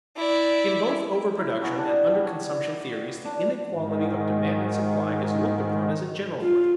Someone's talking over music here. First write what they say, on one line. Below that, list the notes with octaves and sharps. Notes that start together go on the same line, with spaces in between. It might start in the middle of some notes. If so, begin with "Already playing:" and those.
In both over-production and under-consumption theories the inequality of demand and supply is looked upon as a general one.
E4 D5
E4 A#5
A#3 B3 C#4 A#4
G3 D4
G3
C#5 D5
D4
G#2 D#3
F4